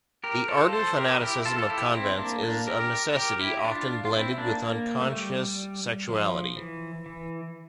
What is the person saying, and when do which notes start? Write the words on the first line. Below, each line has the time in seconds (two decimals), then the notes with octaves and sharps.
The ardent fanaticism of convents is of necessity often blended with unconscious sexuality.
0.24 G4 A#4
0.48 F4 A4
0.73 A4 C5
0.97 G4 A#4
1.21 E4 G4
1.45 F4 A4
1.59 A4
1.70 E4 G4
1.94 C4 E4
2.18 A#3 D4
2.43 A#3 D4
2.67 G4 A#4
3.16 G4 A#4
3.40 E4 G4
3.64 D4 F4
4.05 F4
4.14 C4 E4
4.38 A#3 D4
4.62 A#3
5.01 A3
5.11 G3
6.09 F3
6.57 E3
7.06 E3